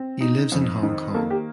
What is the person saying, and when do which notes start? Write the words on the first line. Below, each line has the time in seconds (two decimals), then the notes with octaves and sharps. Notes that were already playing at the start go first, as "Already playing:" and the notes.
He lives in Hong Kong.
Already playing: C4
0.21 D#4
0.52 F2
0.83 D#3
1.14 A#3 A4
1.30 G4